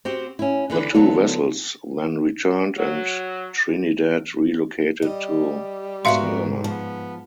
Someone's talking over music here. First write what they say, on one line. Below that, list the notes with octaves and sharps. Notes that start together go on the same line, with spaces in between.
The two vessels then returned and "Trinidad" relocated to Smyrna.
C4 F#4 G4 C5
C#4 E4
D3 E3 B4
D3 F#3 B3 F4 A4
F#3
G3 D#5
G#2 B3 F#4 A#4 E5 F5 C6
F3 B3